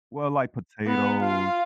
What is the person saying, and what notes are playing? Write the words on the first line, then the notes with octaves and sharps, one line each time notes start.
well, like potatoes,
B3
F4 F5